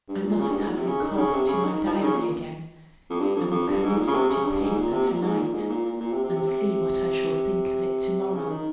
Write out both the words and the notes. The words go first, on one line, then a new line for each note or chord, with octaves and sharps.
I must have recourse to my diary again; I will commit it to paper to-night, and see what I shall think of it to-morrow.
G2
A#2
C#3
G2
G#2
A#2
C3
C#3
D#3
C#3
C3
C#3
D#3
F3
D#3
C#3
A#2
F2
G2
F2
F2
G2
G#2
A#2
C#3
C3
C#3
G2
G#2
A#2
C3
A#2
G#2
A#2
G#2
A#2
A#2
A#2
C3
C3
C3
C3
C#3
D#3